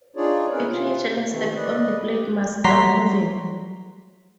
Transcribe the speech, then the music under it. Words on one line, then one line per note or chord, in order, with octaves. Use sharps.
A creature that steps on the plate must stop moving.
D4 D#4 F4 G#4 C#5 D5
C4 C#4 E4 G#4 A#4 B4
C3 F4
C3 D#3 E3 A3 C4
B4 D5 D#5
G4
F#3 G3 A#5 C6 B6